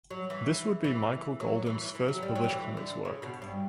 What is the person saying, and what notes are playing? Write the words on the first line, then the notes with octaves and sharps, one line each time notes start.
This would be Michael Golden's first published comics work.
F#3
E3
E3
F#3
E3
E3
F#3
G3
F#3
D3
E3
D3
C#3
B2
G2